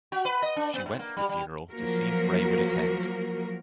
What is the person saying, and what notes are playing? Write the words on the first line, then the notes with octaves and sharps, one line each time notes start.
She went to the funeral to see if Ray would attend.
F#4
B4
D#5
D4
B3
G#2
A#3
G3
G3
F3 F#3 A#3 F#4 A#4